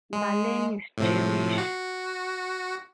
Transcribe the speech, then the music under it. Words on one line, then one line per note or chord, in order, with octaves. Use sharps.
Marlens is Jewish.
G#3
A2 C3 F3
F#4